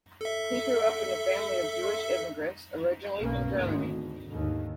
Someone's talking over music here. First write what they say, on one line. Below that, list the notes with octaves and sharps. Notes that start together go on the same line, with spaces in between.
He grew up in a family of Jewish immigrants, originally from Germany.
A4 E5
B1 G2 A#3 B3 C#4
G#1 D2
D#2 G#2 D3